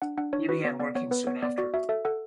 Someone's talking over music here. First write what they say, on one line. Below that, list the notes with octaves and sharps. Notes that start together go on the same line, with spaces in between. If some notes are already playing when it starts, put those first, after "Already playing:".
He began working soon after.
D4 F#5
D4 F#5
D4 C#5
F#4 B4
B3 C#5
B3 D5
B3 C#5
B3 B4
B3 C#5
B3 D5
F#4 D5
F#4 E5
A4 E5
A4 F#5